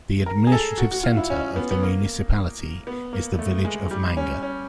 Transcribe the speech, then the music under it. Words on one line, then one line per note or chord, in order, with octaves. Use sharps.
The administrative centre of the municipality is the village of Manger.
A#4
G#4
A4
F#4
F#4
F4
E4
C#4
B3
B3
A#3
B3
A#3
A3
G#3
G3
C#4
C#4